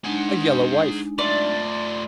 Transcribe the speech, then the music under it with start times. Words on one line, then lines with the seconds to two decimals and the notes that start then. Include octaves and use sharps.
'A yellow wife!
0.04 G#3 D4 D#4 G#4 F#5
1.19 A3 F4 D5